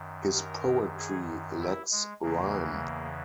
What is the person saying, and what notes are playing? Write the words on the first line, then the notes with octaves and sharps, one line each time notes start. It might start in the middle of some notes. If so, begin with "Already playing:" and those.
His poetry lacks rhyme.
Already playing: F#2 D#3
A#4
G#4
E4
G#3
E2 C#3 E3 A#3